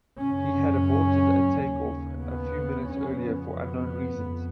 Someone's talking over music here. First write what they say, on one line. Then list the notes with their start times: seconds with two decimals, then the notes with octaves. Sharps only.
He had aborted a take off a few minutes earlier for unknown reasons.
0.22 F#2 C#3 C#4
1.54 D#2 C#3
2.21 B3
2.86 F2 C#3 C#4
3.20 B3
4.19 F2